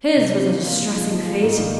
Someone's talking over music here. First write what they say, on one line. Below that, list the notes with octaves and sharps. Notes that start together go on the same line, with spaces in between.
His was a distressing fate.
C3
G3 C4 G4
F3
A#3 F4
A#2
F3 G#3 D#4
F3
A#3 F4 G#4
G#2
D#3 G3 A#3 D#4